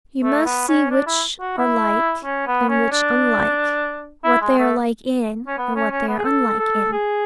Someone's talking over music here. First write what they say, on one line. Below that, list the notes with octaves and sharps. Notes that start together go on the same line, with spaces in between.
You must see which are like, and which unlike; what they are like in, and what they are unlike in.
A3
B3
C#4
D4
E4
F#4
E4
C#4
B3
C#4
D4
E4
G#3
A3
C#4
B3
C#4
C#4
B3
G#4
A4
A4
G#4